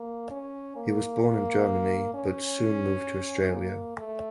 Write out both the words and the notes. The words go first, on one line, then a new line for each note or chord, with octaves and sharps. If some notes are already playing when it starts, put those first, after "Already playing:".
He was born in Germany but soon moved to Australia.
Already playing: A#3
C#4
A#3
C#4
A#3
A3